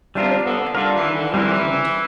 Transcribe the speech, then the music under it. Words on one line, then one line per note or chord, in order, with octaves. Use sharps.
Three o'clock and no wind.
C3 G3 D4 F4 A#4
D3
D3 G3 D4 F4 A#4
E3
D3
E3 G3 C4 E4 A#4